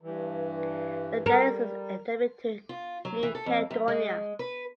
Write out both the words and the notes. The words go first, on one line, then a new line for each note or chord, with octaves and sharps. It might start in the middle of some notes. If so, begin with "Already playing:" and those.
The genus is endemic to New Caledonia.
G2 E3
G3 A#4
F4
F#3
E3
A4
F2
F#2
G#3
B4